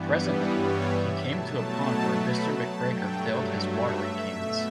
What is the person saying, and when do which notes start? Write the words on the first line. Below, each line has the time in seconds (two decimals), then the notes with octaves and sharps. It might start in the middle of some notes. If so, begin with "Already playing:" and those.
Presently, he came to a pond where Mr McGregor filled his watering cans.
Already playing: G2 E3 G3 B3
0.09 B4
0.48 C#5
0.86 E5
1.24 B2 F#3 A3 A5
2.02 B5
2.40 A5
2.78 G2 F#3 A3 G5
3.56 E5
4.32 B2 A3